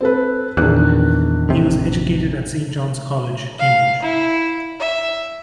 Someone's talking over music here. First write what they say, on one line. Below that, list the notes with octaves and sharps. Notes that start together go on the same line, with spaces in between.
He was educated at Saint John's College, Cambridge.
C4 A4 B4
A#1 E2 D#3 F#6
A1 F2 C3
F5
E4
E5